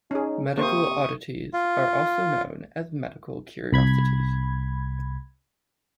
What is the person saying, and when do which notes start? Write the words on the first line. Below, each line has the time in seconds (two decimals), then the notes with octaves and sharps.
Medical oddities are also known as "medical curiosities".
0.11 C#4 D#4 G#4
0.58 C3 A#3 C5 C#6 D#6
1.53 F4
3.72 C2 B5 G#6